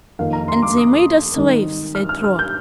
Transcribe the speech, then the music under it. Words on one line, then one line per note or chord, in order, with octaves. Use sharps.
"And they made us slaves," said Trot.
F2 D#3 A#3 D#4 F5
A#5
C6
D6
D#6
G#2 D#3 G3 C4 D#4
F6
F6
F6
G6